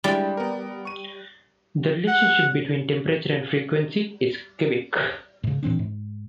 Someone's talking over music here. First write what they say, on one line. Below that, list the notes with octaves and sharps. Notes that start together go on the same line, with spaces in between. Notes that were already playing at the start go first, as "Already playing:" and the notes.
The relationship between temperature and frequency is cubic.
G3 G#3 D4 E4
B3 A#4
C#6 D#7
F#5
G#2 C#3
A2 E3 C4 D4
G#2